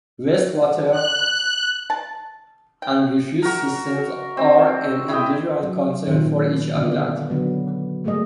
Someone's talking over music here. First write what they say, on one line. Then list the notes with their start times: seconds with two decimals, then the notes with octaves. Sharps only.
Waste water and refuse systems are an individual concern for each island.
0.91 F#6
1.90 A5
2.82 G5
3.42 F#4 A#4
4.37 C4
5.08 E4 G4 D#5 G5
5.63 F#3
6.08 A#2 D#3
6.75 D3 B3 D5
7.30 D3 F#3 B3
8.04 G3 A3 A#3 G#4 D#5